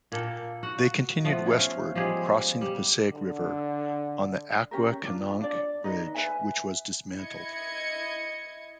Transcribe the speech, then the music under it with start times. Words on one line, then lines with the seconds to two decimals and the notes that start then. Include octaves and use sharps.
They continued westward, crossing the Passaic River on the Acquakanonk Bridge, which was dismantled.
0.12 A#2 A#3 A4 G5
0.63 F#4 F#5
1.25 F3 A3 B3
1.46 C#4 F5
1.95 F3 G3 G#3 G#4
2.61 G3
3.13 D3
4.71 C#4 G4 A#4
5.05 D4 F4
5.41 D4 D5
5.84 D#4 B4 D#5
6.15 B4 E5 G#5
7.15 E4 D#5 G#6 C#7